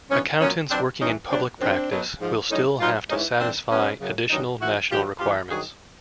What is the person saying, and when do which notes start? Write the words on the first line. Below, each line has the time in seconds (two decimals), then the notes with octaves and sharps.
Accountants working in public practice will still have to satisfy additional national requirements.
0.10 G2 E3 B3 C#4
0.40 A#2 F#3 B3 C#4
0.70 B2 F#3 C4 D4
1.00 G2 E3 C#4 D#4
1.30 B2 F#3 C4 D4
1.60 F#2 D#3 F#3 C4 D4
1.90 B2 F#3
2.20 G#2 F3
2.50 A2 F#3 C#4 D#4
2.80 B2 F#3 D#4 F4
3.10 G#2 C#4 D#4
3.15 E3
3.40 G2 E3 C4 D4
3.70 B2 F#3 B3 C#4
4.00 F#2 C#3 F#3
4.30 G2 D#3 F#3 C#4 D#4
4.61 G#2 E3 E4 F#4
4.90 G2 D#3 F#3 F4 G4
5.20 G2 E3 F4 G4
5.50 G2 D#3 F#3 F#4 G#4